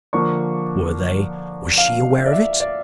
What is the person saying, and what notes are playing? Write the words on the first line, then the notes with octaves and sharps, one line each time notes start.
"Were they--was she--aware of it?"
D3 F3 A#3 D4 C#6
F5
E5
D5
E5
D5